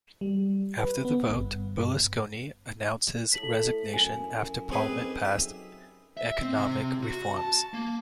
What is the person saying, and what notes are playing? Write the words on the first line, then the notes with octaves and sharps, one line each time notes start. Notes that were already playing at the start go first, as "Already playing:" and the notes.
After the vote, Berlusconi announced his resignation after Parliament passed economic reforms.
G3
B4
B3
G1
G2
A2 A4 B6 F#7
F#2 G#5
C4 D#4 G4 G#4 B4
E5
E5
C4
C3
F#4
A5
A#3